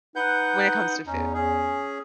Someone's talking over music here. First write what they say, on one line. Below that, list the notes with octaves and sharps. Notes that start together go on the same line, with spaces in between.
when it comes to food.
D#4 B4 F#5 G6
E2 C#4 D#4
C#4 G#4